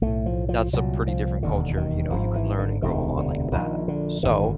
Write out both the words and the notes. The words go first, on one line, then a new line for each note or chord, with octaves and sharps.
that's a pretty different culture, you know, you could learn and grow a lot like that. So,
B1 A2 A3
F3
F3
C2 A#2 F#3
F3
E1 D#2 D3
D#3
G#1 G#2 F3
E3
D3
E1 D2 C3 D#3
D3
A#1 A#2 D#3
D3
G#1 F#2 D3 D#3